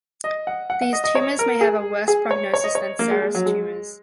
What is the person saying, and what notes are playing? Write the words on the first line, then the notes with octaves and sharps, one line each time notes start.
These tumors may have a worse prognosis than serous tumors.
D#5
F#5
F#5
F#5
D#5
D#5
C#5
A#4
G#4
G#4
C#5
C#5
D#5
C#5
A#3
G#3
G#3
F#3
G#3